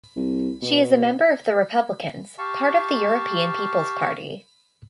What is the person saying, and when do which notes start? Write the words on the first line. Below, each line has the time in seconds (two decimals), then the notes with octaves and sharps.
She is a member of the The Republicans; part of the European People's Party.
0.16 C2
0.62 B2
2.38 G4 F5 A5 C#6